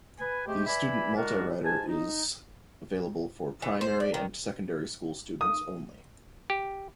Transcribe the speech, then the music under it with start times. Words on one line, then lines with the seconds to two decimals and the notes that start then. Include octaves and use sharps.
The Student MultiRider is available for primary and secondary school students only.
0.19 B4 G#5
0.47 C3 G#3 A3 G4
0.66 B4 D5 E5 G#5 B5
1.16 D3 D#3 G#3 D4 F#4 A#4
1.63 G#2 G#5 A5
1.88 D#4
3.62 E3
3.81 C5
4.00 D5
4.14 D#3
5.41 D#6
6.50 G4